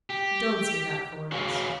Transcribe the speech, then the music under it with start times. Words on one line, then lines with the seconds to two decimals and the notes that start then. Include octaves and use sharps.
"Don't say that, Florence."
0.10 G4
1.32 F#4 G#4 B4 C#5 F5 G#5